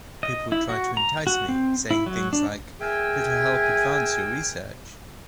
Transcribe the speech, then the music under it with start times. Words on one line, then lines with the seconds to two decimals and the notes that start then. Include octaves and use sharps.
People would try to entice me, saying things like, 'It'll help advance your research.
0.23 D#5
0.52 E4
0.69 F#4
0.97 A#5
1.27 F#4
1.49 C4
1.91 E4
2.06 F#3
2.33 D4
2.80 G#4 A#4 E5 G5 G#5